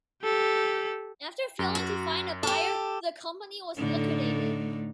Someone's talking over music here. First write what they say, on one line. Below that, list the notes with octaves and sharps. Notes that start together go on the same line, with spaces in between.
After failing to find a buyer, the company was liquidated.
G4 A4
F#2
F#4
G4 A4
A2 D3 D#4